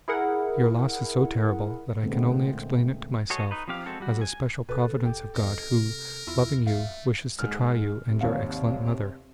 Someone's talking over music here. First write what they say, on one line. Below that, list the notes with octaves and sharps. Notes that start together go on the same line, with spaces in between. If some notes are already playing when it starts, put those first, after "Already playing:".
Your loss is so terrible that I can only explain it to myself as a special providence of God who, loving you, wishes to try you and your excellent mother.
E4 G#4 A#4 F#5
A#2 D3 G#3 A3 B3 C4
F#4 G#4 A4 C#5 D#5
D#4 B4
F3 C4 G4 F5
G#3 C4 F#4 A4
G3 F#4
G#5
B2 A4 B4
E1 G4
E2 A#4 D#5
C3
E2 E4 F4
A3 E5 F5
G#2 F6
C3
G#1 D#2 F5